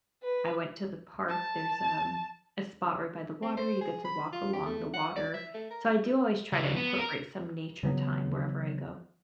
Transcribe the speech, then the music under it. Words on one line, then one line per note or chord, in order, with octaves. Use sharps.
I went to the park, there's, um, a spot right by the water, you get to walk along the water. So, I do always try to incorporate some nature time wherever I go.
B4
A5
C4
C5
G#4
B5
F4
G4
A3
F#5
D5
E5
A3
A#4
C#3 F3
B3
A#4
C#3 E3 F#3 B3